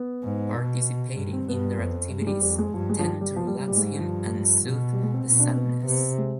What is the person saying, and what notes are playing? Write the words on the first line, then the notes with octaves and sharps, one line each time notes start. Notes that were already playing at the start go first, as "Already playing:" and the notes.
Participating in their activities tend to relax him and sooth the sadness.
Already playing: B3
G#2
B2
G2
C4
G2 B3
F2
G2
G#3
G3
F2 G3
G#3
G2 F3
G#3
F3
G3
G3
F3
G3
G3
G#2 G3
G#3
G3
G2 F3
B2
G3
G#3
C4
B2
D4
C4
B3
C3
G#3